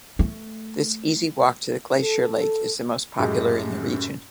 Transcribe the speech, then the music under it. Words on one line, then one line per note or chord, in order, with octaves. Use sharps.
This easy walk to the glacier lake is the most popular in the region.
A3
A4
F#2 A2 G#3 G4 G#4